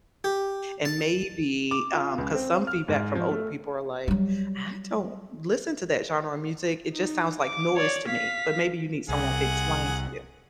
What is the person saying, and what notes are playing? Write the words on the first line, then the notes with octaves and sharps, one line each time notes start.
and maybe um, 'cause some feedback from older people are like, "I don't listen to that genre of music, it just sounds like noise to me," but maybe you need someone to explain to you.
G4
A5
D6
F4
C#2
C4
F6
G#2
F3
A3
F#3 G3
D#4
D6
C#5 D5
F5 B6
C2 G#4 F#5